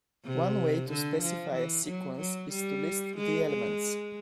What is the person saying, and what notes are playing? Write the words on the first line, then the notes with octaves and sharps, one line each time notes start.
One way to specify a sequence is to list the elements.
C3
D3
F3
E3
F#3
F#3
G3
G#3
G#3